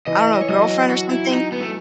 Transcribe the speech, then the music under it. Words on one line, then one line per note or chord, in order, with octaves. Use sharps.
I don't know, girlfriend or something?
E3 D#5
D#5
C#5
F#3 D#5
D#5
F#4
E4
D#4
B3
A3